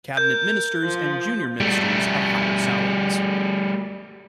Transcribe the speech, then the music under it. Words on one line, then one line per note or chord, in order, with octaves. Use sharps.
Cabinet ministers and junior ministers have higher salaries.
A#4 G6
F3
G3 A3